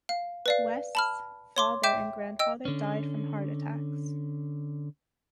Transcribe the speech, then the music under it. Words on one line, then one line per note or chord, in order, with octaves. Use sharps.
West's father and grandfather died from heart attacks.
F5
B4 D5 F5
A5 B5 F6
C#5 C6 D6
E5 G5 D6 G6 E7
D#5 G5 E6
D3 C#4